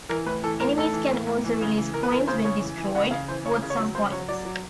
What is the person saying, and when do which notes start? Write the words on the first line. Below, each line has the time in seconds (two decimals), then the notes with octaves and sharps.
Enemies can also release coins when destroyed, worth some points.
0.09 E3 A#4
0.26 A2 B4
0.43 E3 A4
0.60 A2 A#4
0.78 A2 A4
0.93 E3
1.10 A2
1.27 A2
1.44 E3
1.61 C#3
1.77 E3
1.94 E3 A#4
2.03 B4
2.11 E3 A#4
2.28 C#3 C5
2.44 C#3 C#5
2.61 E3
2.77 E3
2.95 C#3 F#5
3.11 C#3 F5
3.28 E3 C5
3.45 C#3 C#5
3.62 C#3
3.70 C#5
3.79 F#3
3.95 C#3 C5
4.11 F#3 C#5
4.28 F#3 D5
4.45 F#3